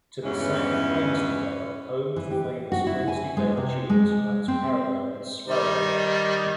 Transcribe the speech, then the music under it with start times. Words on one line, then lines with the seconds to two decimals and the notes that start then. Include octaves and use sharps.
To the south, Wensleydale, home of the famous Wensleydale cheese, runs parallel with Swaledale.
0.22 E2 G2 C#3 E3 G#3 C#4
2.16 E3
2.31 G4
2.72 F#4
2.87 E4
3.08 G#5
3.37 G#3
3.57 C3
3.90 G#3
4.48 C4
5.47 D#3 G3 D#4